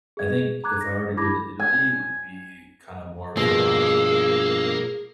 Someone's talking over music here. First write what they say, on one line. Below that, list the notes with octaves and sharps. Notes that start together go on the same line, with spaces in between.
I think if I were to go to Italy, it would be kinda more for, like
G#4 G#6
A#5 D6 F#6 G#6
A#6
E4 B5 D6 G#6 A#6
G#5
G2 B2 F3 A#3 G#4 E6